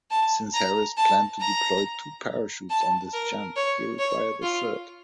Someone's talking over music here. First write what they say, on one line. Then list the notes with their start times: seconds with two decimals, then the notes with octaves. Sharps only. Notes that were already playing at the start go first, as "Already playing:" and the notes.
Since Harris planned to deploy two parachutes on this jump, he required a third.
0.11 A5
0.54 A#5
0.97 A5
1.40 A#5
2.70 A5
3.13 A#4
3.56 C#5
3.99 C#5
4.42 F4